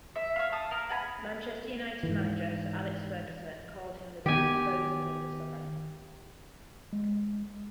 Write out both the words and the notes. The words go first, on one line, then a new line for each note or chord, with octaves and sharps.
Manchester United manager Sir Alex Ferguson called him the "best Bosman of the summer".
E5
C#5 F5
A5 D#6
A#3 A#4
F#5 G#5 A#5 B5
G#2 E3
D#3 B3 G4 G#5
G#3